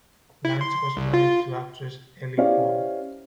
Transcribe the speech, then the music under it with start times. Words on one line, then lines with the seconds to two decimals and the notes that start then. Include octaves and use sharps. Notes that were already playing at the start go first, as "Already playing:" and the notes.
Lange was married to the actress Elli Hall.
0.45 E4
0.61 C6
0.97 C2
1.14 F4
2.38 C#4 E4 G4 C5 D5 F5